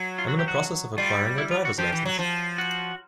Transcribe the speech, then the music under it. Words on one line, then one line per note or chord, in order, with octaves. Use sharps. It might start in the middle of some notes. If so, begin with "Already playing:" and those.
I'm in the process of acquiring a drivers license.
Already playing: F#3
F4
F#4
G4
F#4
G3 F4
E4
F4
F#4
F3 G4
E3
F#3
F3
F#4